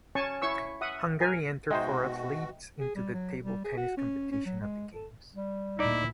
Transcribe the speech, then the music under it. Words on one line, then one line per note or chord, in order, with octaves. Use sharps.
Hungary entered four athletes into the table tennis competition at the games.
C#4 C#5 G#5 A5 C#6
E4 C#5 C#6 E6
E5 F#5 D#6
A#4 G#5
B2 G#3 D#4 F#4 C5 D#5 E5 G5
G#4
G3
F#3
G3
G#4
F#4
C#4
C#4
F#3
G#3
A4
G3
D2 A#2 D#4 E4 D5